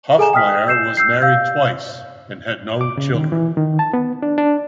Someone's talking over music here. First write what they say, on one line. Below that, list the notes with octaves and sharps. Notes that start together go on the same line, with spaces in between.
Hofmeyr was married twice and had no children.
G#4 A4 G#5 A#5 E7
G5 D#6 F6 B6
E6 G6 C7 E7
E6 G6 C7
F5 E6 G6
D6
C#3
D#3
E3
D#3
A5
B3
D4
D4